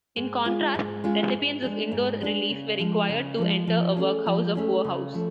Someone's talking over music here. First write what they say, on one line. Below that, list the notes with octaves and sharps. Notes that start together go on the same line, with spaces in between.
In contrast, recipients of indoor relief were required to enter a workhouse or poorhouse.
G#2
G#3 C#4 F4 G#4
G#2
G#3 C#4 F4 G#4
G#2
G#3 D4 G#4
G#2
G#3 D4 G#4
C#3
F3 G#3
C#3
F3 G#3
F3
A3 C#4 G#4
F3
A3 C#4 G#4
C#3
F3 A3